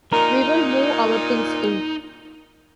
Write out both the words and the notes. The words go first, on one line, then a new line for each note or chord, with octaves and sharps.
We will move our things in.
A#2 D#4 A#4